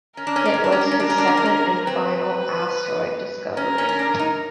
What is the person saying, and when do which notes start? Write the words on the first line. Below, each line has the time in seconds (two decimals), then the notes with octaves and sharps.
It was his second and final asteroid discovery.
0.17 C#4 A#4
0.27 D4
0.36 C#4
0.45 D4
0.54 C#4
0.64 D4
0.72 C#4
0.81 D4
0.91 C#4
1.00 D4 A#4
1.10 C#4
1.18 D4
1.27 C#4
1.37 D4
1.46 C#4
1.87 C4 B4
3.57 C#4 A#4
3.78 C#4
3.89 C#4
3.99 D4
4.19 D#4